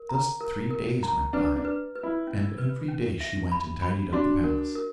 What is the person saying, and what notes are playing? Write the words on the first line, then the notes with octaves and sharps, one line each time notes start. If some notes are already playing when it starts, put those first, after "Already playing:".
Thus three days went by, and every day she went and tidied up the palace.
Already playing: A#4
A#5
A#4
A#4
A#5
D4 B4
D4
B4
B4
E4
C#4
B4
C#4
E5
B5
B5
D4 F#4
A#4
A#4